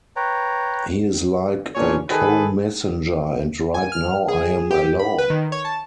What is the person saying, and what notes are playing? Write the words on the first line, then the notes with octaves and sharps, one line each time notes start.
He is like a co-messenger and right now I am alone.
B4 C#5 G5 A#5
A#2 C#4 D4 C#5 G#5
D#3 G#4 A4 B4
G#5
F6
G#4
G4
B5
B4
D#3
C#5
A5